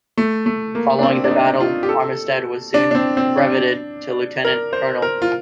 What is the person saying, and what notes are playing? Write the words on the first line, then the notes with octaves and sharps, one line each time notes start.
Following the battle, Armistead was soon breveted to lieutenant colonel.
A3
A3
A#3
D4
C4
D4
D#4
F4
G4
A4
D4
D4
C4
C4
D4
A#4
C5
A#4
F4